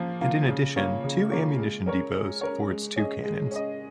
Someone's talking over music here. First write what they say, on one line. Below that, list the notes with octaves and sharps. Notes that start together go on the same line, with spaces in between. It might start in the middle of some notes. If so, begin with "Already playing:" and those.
And in addition two ammunition depots for its two cannons.
Already playing: F3 A#3 F4
A#3 F4
C#3
A#3 F4 C#5
C#3
A#3 F4 C#5
G#3
C#4 A#4 C#5
G#3
C#4 A#4 C#5
G#3
C#4 G#4 D#5
G#3
C#4 G#4 D#5